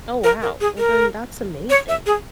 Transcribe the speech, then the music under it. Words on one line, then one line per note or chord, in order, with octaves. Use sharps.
Oh, wow. Well, then that's amazing.
A#4
A#4
G#4
A#4
C#5
E5
G#4